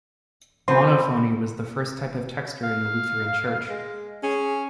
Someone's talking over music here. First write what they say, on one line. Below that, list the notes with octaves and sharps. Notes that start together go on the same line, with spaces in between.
Monophony was the first type of texture in the Lutheran Church.
F3 C4 B5 C6
F5
G#3
C#4 G#4